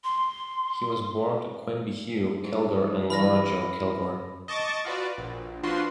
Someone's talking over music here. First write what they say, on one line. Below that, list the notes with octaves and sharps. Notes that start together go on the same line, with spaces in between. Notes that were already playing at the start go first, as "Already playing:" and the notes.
He was born to Quimby Hugh Kilgore and Laura Jo Kilgore.
C6
G#2
E3 B5 F6 A#6
D#5 A5 C#6 D6 A6
F4 F#4 B4 D5
A#1
F3 D4 F4 F#4 B4 C6